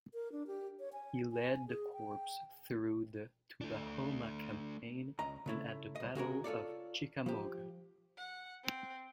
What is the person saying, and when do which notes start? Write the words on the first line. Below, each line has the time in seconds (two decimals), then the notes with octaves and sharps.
He led the corps through the Tullahoma Campaign and at the Battle of Chickamauga.
0.14 A#4
0.32 D4
0.47 G4
0.80 C#5
0.93 G#5
1.32 G#5
1.68 G#4
1.93 G5
3.61 A3 D4
5.19 C#2 D#5 A#5
5.46 C#3 A3 E4
5.96 C2 D#5
6.15 C#3 F#4 G#4 A#4
6.44 F4 A4 C#5 D5
7.26 F3 G4
8.17 F#5
8.63 C4